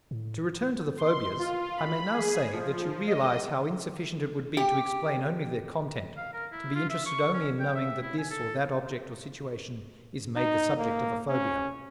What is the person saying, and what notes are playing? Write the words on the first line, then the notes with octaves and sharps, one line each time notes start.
To return to the phobias, I may now say that you realize how insufficient it would be to explain only their content, to be interested only in knowing that this or that object or situation is made the subject of a phobia.
A2
C6
F4
B5
G#4
F3
D#5
G4
F5
A#4
E4
F4
E5
C#6
C#4
G5
E5
E4
G#5
A4
D#4
A#3
C#4